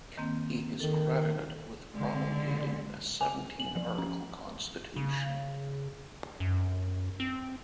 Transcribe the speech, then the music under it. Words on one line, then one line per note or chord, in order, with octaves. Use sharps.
He is credited with promulgating a Seventeen-article constitution.
D#3 A#3 C4
D#3 A4
D3 G#3
G#5
F#7
F3
C#4
C#3
F#2
C4